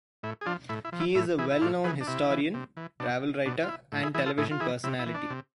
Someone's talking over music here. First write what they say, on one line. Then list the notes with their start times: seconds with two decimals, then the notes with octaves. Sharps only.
He is a well-known historian, travel writer and television personality.
0.23 A2 E4
0.41 G#4
0.46 F3 D4 F4
0.69 A2 E4
0.85 E4
0.93 F3
1.00 E4
1.15 A2 E4
1.38 E3 E4 G#4
1.51 E4
1.61 A2 D4 F4
1.84 E3 G#4 B4
2.01 D4
2.07 C3 E4
2.30 E3
2.54 C3
2.77 E3
3.00 B2 D4
3.46 B2 D4
3.64 F4
3.69 E4
3.92 A2
4.03 E4 G#4
4.14 E3 E4 G#4
4.26 F4 A4
4.38 A2 E4 G#4
4.51 F4
4.60 E3 E4 G#4
4.84 C3 E4
4.99 E4
5.06 E3
5.15 D4
5.30 C3